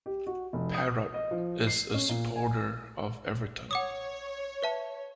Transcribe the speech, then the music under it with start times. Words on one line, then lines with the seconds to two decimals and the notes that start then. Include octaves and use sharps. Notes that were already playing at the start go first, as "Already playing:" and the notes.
Parrott is a supporter of Everton.
0.06 G4
0.26 F#4
0.53 F1
0.74 D#6
1.14 D#5
1.31 F3
1.67 C7
1.94 C#4
2.09 A#2
2.36 G#5
3.71 C#5 F#5 D6 D#6
4.63 B4 E5 A5